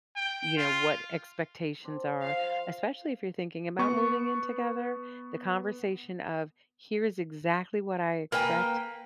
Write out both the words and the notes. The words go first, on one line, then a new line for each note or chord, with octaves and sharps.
you know, what expectations are especially if you're thinking about moving in together, the conversation of, "Here is exactly what I expect,"
G5
F4
C4 D4 D5
F3 F5 D#6
B3 C#6
A#3 B4 G5 G#5